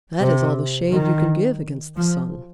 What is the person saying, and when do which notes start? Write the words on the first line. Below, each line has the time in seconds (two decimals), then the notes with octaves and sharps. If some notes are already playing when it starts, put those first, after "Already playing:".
"That is all the shade you can give against the sun."
0.21 C3
0.90 D#3
1.95 F3